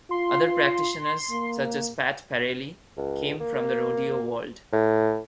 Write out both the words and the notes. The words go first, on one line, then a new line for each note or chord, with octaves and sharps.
Other practitioners, such as Pat Parelli, came from the rodeo world.
F4 C6
A#3
C#2
A#3
A2